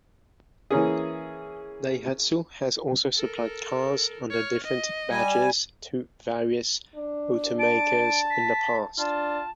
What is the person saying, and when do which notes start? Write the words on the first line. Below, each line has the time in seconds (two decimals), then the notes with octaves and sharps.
Daihatsu has also supplied cars under different badges to various automakers in the past.
0.70 E3 A#3 C#4 G#4
3.16 A4 A#4
4.30 C#5 F6
4.64 D#5
5.10 G3 G#5
6.96 D4
7.60 A5 D7
8.30 B6
8.99 D4 F4 A5